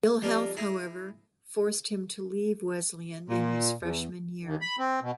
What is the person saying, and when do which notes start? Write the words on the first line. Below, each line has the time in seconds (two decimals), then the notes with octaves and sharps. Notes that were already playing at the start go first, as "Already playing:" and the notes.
Ill health, however, forced him to leave Wesleyan in his freshman year.
0.22 F2 G3 A#4 D#5
0.57 E4 G#4 A#5
3.29 A#2
3.83 E2
4.44 D#2
4.62 B5
4.79 C4
5.02 B2